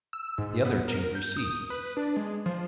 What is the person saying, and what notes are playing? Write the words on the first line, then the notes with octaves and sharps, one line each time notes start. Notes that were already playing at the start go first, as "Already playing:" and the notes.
The other two receive.
E6
G#2
B3
A#4
G6
D#6
B4
D4
G#3
F3